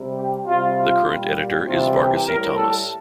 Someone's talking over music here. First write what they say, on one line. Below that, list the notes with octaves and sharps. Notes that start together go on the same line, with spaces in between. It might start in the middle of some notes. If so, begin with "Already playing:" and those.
The current editor is Varghese Thomas.
Already playing: C3 G3
G4
C3 G3 F4
F4
A#2 G3
C3 E3 G3 F4
G4
A2 G3 A#4
A4